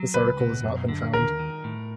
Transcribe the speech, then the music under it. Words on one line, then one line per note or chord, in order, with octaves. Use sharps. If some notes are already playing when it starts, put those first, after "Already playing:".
This article has not been found.
Already playing: F#3
C#2 B4
B2
F#2
D3
D#2 A#4
D#3
A2